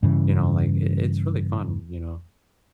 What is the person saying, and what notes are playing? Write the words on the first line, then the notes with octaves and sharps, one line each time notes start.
you know, like, i it's really fun, you know?
G2 C#3 E3